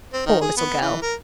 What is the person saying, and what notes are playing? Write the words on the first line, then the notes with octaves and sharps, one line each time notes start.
Poor little girl!
C4
D#3
G#4
B3
E3
A#4